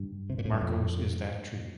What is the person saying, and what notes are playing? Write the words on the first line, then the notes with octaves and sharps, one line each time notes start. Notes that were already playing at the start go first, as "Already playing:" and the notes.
Markos is that tree.
Already playing: G2
C3
A#2
A2
G2
F2